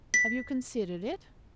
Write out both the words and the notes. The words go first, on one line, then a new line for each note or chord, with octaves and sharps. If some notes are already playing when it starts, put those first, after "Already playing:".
Have you considered it?'
B6